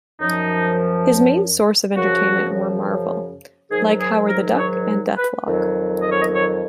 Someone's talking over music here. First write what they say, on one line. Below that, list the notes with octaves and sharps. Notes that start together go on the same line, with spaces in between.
His main source of entertainment were Marvel like "Howard the Duck" and "Deathlok".
F#2 F3 D#4
F#2 C#3 F3 F#4
G#2 D#3 F#3 G#4
G#4
A#4
C#5
B4
F2 D#3 F#3
D#5
C#5
D#5
C#5